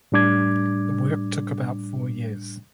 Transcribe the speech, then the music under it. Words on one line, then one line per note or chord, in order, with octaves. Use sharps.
The work took about four years.
A2 G3 D4 D6 G#6